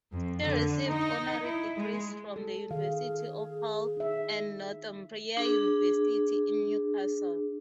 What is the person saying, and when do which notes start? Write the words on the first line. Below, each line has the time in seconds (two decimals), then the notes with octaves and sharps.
He received honorary degrees from the University of Hull and Northumbria University in Newcastle.
0.13 F2
0.43 D3
0.87 D#4
1.44 E4
1.77 G#3
2.36 A4
2.70 D#3 G#4 F5
3.97 D#4 E5
5.37 D4 G#4